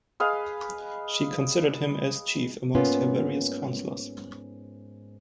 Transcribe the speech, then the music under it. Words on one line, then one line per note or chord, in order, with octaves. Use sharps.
She considered him as chief amongst her various counselors.
G#4 B4 D#5 F5
G#2 A#3 B3 C#4 F4